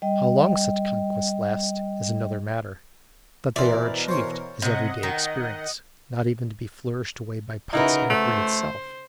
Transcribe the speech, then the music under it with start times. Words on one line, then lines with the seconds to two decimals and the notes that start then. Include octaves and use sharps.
How long such conquests last, is another matter; that they are achieved, is every-day experience, not even to be flourished away by Podsnappery itself.
0.02 G3 D#5 G5
3.56 B2 E3 E4 A#4 C5 D5
4.08 C5 C#5 C6
4.62 C3 F#3 D#5 F#5
5.03 D#3
7.73 C#3 D#4 E4 F#4 A#4 B4
8.10 A3 C5